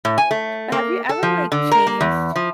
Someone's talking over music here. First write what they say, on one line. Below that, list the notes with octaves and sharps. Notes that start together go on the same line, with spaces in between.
But have you ever, like, changed
A2
G#5
A3
A#3
A4
F3
D3
A#4
A#3
E2
F3